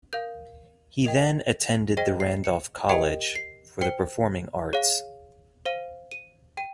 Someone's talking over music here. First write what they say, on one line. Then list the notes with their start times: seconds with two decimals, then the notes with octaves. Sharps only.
He then attended the Randolph College for the Performing Arts.
0.13 A#4 F5 G6
1.05 A#4 D#5 G5
1.97 G#4 C5 D#5 G5 A#6
2.20 C7
2.44 C#7
2.89 G4 A#4 D#5 G5 C#7
3.35 C7
3.81 C5 G5 C#7
4.73 G#4 C#5 F5
5.65 C5 F5 D#7
6.11 D#7
6.57 G5 D#7